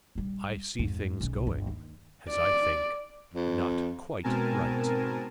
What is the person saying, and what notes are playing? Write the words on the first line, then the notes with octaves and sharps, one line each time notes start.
I see things going, as I think, not quite right.
A#1 G3
F2 G#2
B1 C#4
G1 F2
D#2
D5
F2
G#2 B2 C4 A#4 G#5 A5